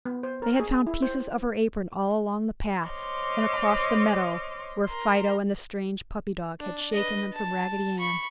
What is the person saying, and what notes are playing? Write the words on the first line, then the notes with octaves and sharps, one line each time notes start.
They had found pieces of her apron all along the path and across the meadow where Fido and the strange puppy dog had shaken them from Raggedy Ann.
B3
C5
A#4
G#4
E4
C5
C5 C#5 D#5 C6 D6 F6
A#4 C6
D4
B4 D#5
A5
B5 C#6